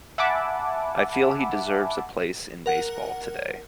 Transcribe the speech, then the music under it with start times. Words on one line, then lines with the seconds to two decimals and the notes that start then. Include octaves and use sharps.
I feel he deserves a place in baseball today.
0.18 E5 F#5 G#5 A5 B5 D6
2.66 A#4 F#5